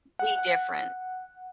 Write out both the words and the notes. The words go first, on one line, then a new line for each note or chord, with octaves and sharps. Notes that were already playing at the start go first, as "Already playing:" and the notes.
be different
F#5